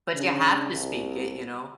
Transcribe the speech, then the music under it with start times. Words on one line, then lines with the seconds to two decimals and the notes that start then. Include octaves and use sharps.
But you have to speak it, you know?
0.16 C#3 C#4 D4
0.71 C2